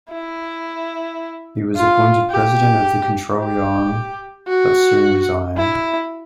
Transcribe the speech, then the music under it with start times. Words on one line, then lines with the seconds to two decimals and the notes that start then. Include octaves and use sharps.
He was appointed president of the Control Yuan, but soon resigned.
0.12 E4
1.76 F4
2.30 G4
3.39 G4
4.48 F#4
5.57 E4